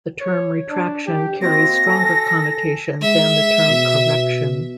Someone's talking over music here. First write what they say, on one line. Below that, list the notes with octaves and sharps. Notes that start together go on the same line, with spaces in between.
The term "retraction" carries stronger connotation than the term "correction".
C#5
D4
G4
A#3 C4 F#4 D#5 A#6
A4 G#5
G#3 E5
B2